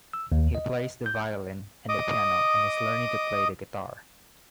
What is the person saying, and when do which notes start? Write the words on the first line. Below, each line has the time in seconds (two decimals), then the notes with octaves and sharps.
He plays the violin and the piano and is learning to play the guitar.
0.13 E6
0.32 D#2
0.55 D#5
1.06 G6
1.89 D#5 D6 D#6